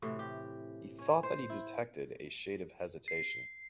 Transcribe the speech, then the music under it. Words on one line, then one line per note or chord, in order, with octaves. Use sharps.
He thought that he detected a shade of hesitation.
A2 C3 E3 F#4
G4
C#4 C#5
C5
E4
C7